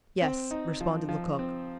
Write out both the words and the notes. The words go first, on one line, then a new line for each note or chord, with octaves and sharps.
"Yes," responded Lecoq.
C4
D#4
F3
F3
C4